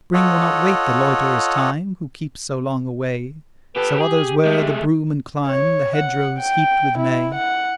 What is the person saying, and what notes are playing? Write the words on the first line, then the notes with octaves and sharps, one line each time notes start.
Spring will not wait the loiterer's time Who keeps so long away; So others wear the broom and climb The hedgerows heaped with may.
F4 A4 C#5 D#5 F#5
G4 A4 B4
G4 G#4
G#3 A3
C#5
F#5
G5
E4
F#5